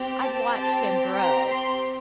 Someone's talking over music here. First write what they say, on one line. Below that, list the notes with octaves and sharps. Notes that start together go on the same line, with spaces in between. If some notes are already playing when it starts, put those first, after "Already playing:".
I've watched him grow,
Already playing: C4 G4
A5
C4 G4 A5
A#5
C6